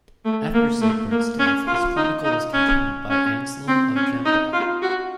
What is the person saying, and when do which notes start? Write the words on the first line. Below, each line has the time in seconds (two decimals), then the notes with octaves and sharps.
After Sigebert's death his chronicle was continued by Anselm of Gembloux.
0.25 A3
0.54 A#3
0.81 A3
1.11 A#3
1.39 C#4
1.67 F4
1.97 D#4
2.24 D#4
2.52 C#4
3.10 C#4
3.68 C4
3.95 C#4
4.25 D#4
4.53 F4
4.82 F#4